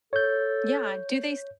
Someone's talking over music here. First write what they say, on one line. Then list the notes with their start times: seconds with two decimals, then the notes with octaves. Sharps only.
Yeah. Do they s
0.13 A4 C#5 G6